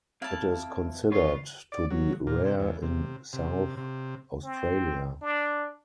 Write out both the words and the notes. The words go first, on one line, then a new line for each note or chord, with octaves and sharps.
It is considered to be rare in South Australia.
C4 E4 F5 A5
B3 F4 B4 C#5
D5
F#3
A#2
C3
E2
C3
C3
C3
C4
D4